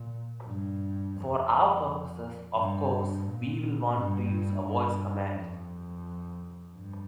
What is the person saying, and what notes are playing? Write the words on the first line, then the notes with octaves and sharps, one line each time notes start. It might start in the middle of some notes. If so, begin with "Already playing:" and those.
For our purposes, of course, we'll want to use a voice command.
Already playing: A#2
G2
F2
G2
A#2
G2
G2
F2
G2